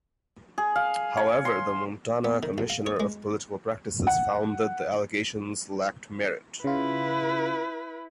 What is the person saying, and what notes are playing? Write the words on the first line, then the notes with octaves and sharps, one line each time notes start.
However, the Montana Commissioner of Political Practices found that the allegations lacked merit.
G#4
F5
C#5
C6
B3
D#3
B1
F5
C#5
G#3
F#5
C#3 E4 F4 B4